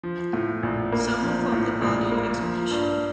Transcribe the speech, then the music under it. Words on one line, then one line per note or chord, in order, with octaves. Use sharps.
Some were from the Baudin expedition.
F3
A2
A#1
A#3
F3
A2
A#1
A#3
F3
G2